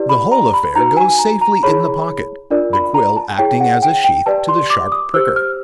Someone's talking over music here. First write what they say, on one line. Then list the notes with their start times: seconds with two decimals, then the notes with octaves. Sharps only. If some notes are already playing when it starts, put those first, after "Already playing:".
The whole affair goes safely in the pocket; the quill acting as a sheath to the sharp pricker.
Already playing: E4 G4 B4 D5
0.09 B5
0.32 A#5
0.53 B5
0.76 D#4 F#4 B4 A#5
0.97 G#5
1.19 A#5
1.41 A#5
1.63 E4 G#4 C#5 B5
2.50 D4 F4 A#4 D5
2.73 B5
2.94 A#5
3.17 A5
3.38 E4 G#4 C#5 G5
3.60 F#5
3.82 G5
4.04 G5
4.26 G4 B4 D5 A5
4.49 C6
4.70 D6
4.92 D#6
5.14 G4 C5 E6
5.36 F6